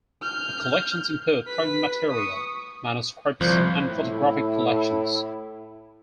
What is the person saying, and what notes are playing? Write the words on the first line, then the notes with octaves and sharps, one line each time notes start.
The collections include printed material, manuscripts and photographic collections.
F6 G6
B4 B6
C#6 D#6
C2 F3
A2 E4